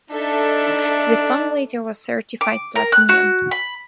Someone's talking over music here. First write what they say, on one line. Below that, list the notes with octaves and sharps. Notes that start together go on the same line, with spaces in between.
The song later was certified platinum.
D4 D#4 A4 E5
D6
A#4
F#6
F#4
B5